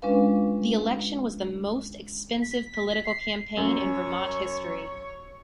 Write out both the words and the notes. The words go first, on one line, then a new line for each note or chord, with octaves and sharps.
The election was the most expensive political campaign in Vermont history.
G#3 C#4 D4 F4 B4 F5
B6
C7
F#2 C#5